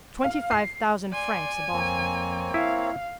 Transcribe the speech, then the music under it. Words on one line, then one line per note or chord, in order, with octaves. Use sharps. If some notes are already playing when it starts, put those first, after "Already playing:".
"Twenty-five thousand francs a bottle."
F5
C7
D5 G#5 C6
F2 A#3 C4 C#5
E4 F5